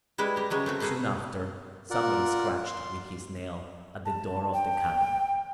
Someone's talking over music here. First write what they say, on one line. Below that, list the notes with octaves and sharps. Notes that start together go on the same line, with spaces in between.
Soon after, somebody scratched with his nail at the door of the cabinet.
G3 G#3 E4 B4
G4 A#5
C#3 F#3 G#3
A3 C4 F#4
A3 A#3 G#4 A4 B4
F4 A#4 D5 F#5
C6
A5
G5